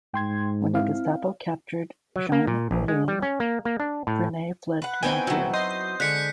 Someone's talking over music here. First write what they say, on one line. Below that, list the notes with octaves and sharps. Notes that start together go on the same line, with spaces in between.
When the Gestapo captured Jean Moulin, Frenay fled to Algiers.
G#2 G5 C6 G#6
C4 E4 F5
F#3
A#3
A#2
A#1
G#3
G3
C#4
A#3
A#3
D4
A2
B4 F#5
E3 B3 C4 D#4 F#4 G5 G#5
F#3 E4 F#4
D#5 C6 G6
D3 G#3 F#6 B6 C#7